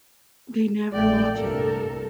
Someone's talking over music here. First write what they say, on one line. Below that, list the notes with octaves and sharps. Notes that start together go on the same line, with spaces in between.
They never watch it.
A#1 A3 A#3 D5 G5
C2 G2 A4 A#4